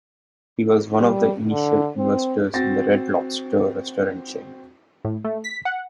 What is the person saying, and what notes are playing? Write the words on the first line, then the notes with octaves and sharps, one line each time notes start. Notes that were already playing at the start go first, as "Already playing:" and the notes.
He was one of the initial investors in the Red Lobster restaurant chain.
G3
D3
C4
C4 F#4 A6 A#6
A2
A3
B6
F#5